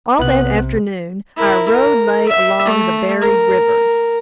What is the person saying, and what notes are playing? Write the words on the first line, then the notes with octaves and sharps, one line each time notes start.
All that afternoon our road lay along the buried river.
B1 C3 B3 F#6
E4 A#4
A#4
E5
A3
A#4